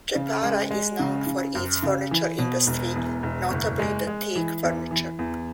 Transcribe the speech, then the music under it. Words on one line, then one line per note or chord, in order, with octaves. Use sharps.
Jepara is known for its furniture industry, notably the teak furniture.
C#3
G#3
G#3
C#3
C#3
F#2
C#3
E3
B2
E1
E2
E1
F#1
G#3
G#3
E3
E2
E3
E2